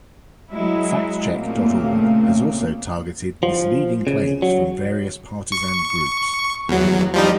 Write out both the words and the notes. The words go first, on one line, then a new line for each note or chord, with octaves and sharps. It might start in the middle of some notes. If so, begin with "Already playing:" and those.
FactCheck dot org has also targeted misleading claims from various partisan groups.
F#3 G#3 E4
A#2 C#3 A3 A#3 C4
F3
C#3
F#3
C#6
E2 F#3
F3 G3 D#4